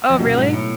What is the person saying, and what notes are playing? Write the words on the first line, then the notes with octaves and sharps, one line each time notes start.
Oh, really?
F2
F#2 B2 F#3 B3 F4 A4
G#2
A2